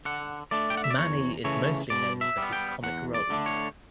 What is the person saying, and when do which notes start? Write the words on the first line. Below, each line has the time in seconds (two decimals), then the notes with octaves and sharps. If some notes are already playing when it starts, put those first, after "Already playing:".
Mani is mostly known for his comic roles.
0.05 D3 F#5
0.51 A3 D4 D5
0.70 G5
0.77 F#5
0.84 E5
0.90 D5
0.98 E2 C#5
1.44 C#3 E3 A3 C#5
1.90 B2 D5
2.21 E5
2.37 G3 B3
2.53 G5
2.83 E2 F#5
3.14 D5
3.30 D3 A3 D4
3.46 C#5